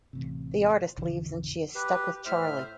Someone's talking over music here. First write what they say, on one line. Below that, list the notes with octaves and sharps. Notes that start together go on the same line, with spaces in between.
The artist leaves and she is stuck with Charlie.
A1 C3
B1 F2 D3 E3
G4 B4
A2 C5 E5 F6